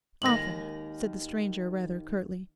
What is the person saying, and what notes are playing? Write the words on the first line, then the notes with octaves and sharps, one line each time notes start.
'Often,' said the stranger rather curtly.
D#2 D#3 G#3 A#6 F#7